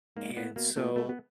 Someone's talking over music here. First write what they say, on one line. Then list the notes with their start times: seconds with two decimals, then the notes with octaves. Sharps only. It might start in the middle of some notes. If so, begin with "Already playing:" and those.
And so,
0.16 G#2 A#3
0.36 A2 B3
0.56 B2 A#3
0.76 A#2 A3
0.96 B2 A3
1.09 B3